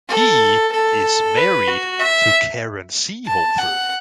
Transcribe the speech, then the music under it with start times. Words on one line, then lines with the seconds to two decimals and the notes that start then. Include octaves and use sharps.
He is married to Karin Seehofer.
0.08 A4
0.72 A4
1.36 B4
1.68 F#4
2.00 E5
3.26 A5
3.58 F#5